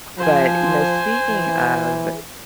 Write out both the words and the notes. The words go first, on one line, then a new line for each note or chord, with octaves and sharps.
But, you know, speaking of,
F3 C5 G#5
E3